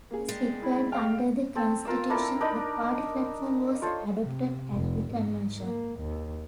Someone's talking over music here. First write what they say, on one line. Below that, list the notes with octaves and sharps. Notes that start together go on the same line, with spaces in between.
As required under the constitution, the party platform was adopted at the convention.
A#3 G#4
G3 G#3
E4
F5 G5 F6
C4 A4
F4 A#4 F5 E6
D4 E4 A4 A#4
D4 D#4 A#4 B5
F4 A4 C5 C#5
C3
F1
G#2
A#3
D#2